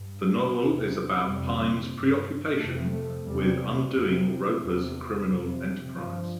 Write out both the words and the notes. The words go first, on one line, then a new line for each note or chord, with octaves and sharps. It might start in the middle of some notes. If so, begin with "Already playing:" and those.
The novel is about Pine's preoccupation with undoing Roper's criminal enterprise.
Already playing: G2
E2 C3
F2 C3 G3
G2
F2 C3 A3
A3
E2 C3 G3
F2 C3
E2 C3
F2 C3
G2 F3